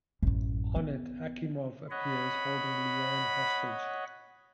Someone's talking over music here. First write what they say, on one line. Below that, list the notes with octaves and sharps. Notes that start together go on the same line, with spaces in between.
On it, Akimov appears, holding Lee-Ann hostage.
A1 F#2
B3
C#5 D#5 F#5 B5